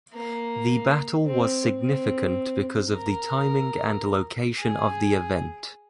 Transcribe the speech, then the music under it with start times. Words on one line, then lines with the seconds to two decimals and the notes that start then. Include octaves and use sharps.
The battle was significant because of the timing and location of the event.
0.13 A#3
1.25 C4
1.81 C4
2.92 A#4
4.59 G#4